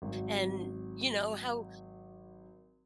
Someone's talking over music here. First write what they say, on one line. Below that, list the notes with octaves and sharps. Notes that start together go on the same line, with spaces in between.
and, you know, how
G#1 F#3